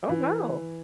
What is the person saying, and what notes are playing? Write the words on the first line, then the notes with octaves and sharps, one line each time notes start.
Oh, wow.
E3